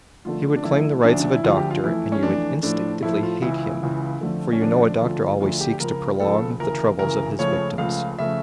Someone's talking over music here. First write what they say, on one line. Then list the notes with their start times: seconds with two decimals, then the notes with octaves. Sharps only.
He would claim the rights of a doctor and you would instinctively hate him, for you know a doctor always seeks to prolong the troubles of his victims.
0.25 F2 D3 A3 F4
0.56 D4
0.64 F2 D3 A3 E4
1.04 D2 D3 F3 D4
1.20 D4
1.32 E4
1.44 D2 D3 F3 F4
1.57 G4
1.71 F4
1.84 F2 E3 A3 E4
2.12 C#4
2.23 F2 E3 A3 D4
2.63 A2 F3 A3 D4
3.02 A2 F3 A3 E4
3.23 F4
3.42 C#2 C#3 E3 E4
3.82 C#2 C#3 E3
4.21 F2 D3 F3 A3
4.53 C#4
4.61 F2 D3 F3 A3 D4
5.01 D2 D3 F3 A3 F4
5.40 D2 D3 F3 A3 F4
5.61 G4
5.80 C#2 C#3 F3 A#4
6.20 C#2 C#3 F3 A4
6.60 D2 C#3 E3 A#4
6.99 D2 C#3 E3 A#4
7.39 C#2 C#3 F3 A3 C#5
7.78 C#2 C#3 F3 A3 F5
8.19 C#3 F3 A3 E5